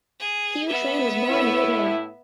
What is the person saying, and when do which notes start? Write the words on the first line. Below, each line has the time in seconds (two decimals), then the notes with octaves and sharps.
Hieu Trinh was born in Vietnam.
0.20 G#4
0.69 B3 E5
1.30 A2 E4